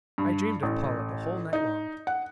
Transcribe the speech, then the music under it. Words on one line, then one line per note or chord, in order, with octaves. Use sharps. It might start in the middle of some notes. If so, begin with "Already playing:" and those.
I dreamed of Paula the whole night long.
G2
A1
D#4
F#5